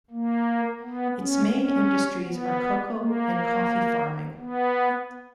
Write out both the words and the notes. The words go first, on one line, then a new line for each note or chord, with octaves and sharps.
Its main industries are cocoa- and coffee-farming.
A#3
B3
C#4
C#4
B3
A#3
B3